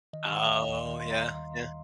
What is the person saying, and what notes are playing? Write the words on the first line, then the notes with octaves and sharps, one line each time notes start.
Oh, yeah. Yeah.
D#3 D#5
D#3
F5
D#2
D#5
D#2
D#3 C6
G3 C6
A#5